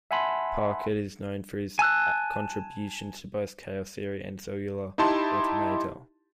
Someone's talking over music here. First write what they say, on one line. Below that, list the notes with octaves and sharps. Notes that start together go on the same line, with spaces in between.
Packard is known for his contributions to both chaos theory and cellular automata.
E5 F#5 G#5 A5 B5 C6
G#5 A5 E6 F#6
D#4 E4 G4 A5 C6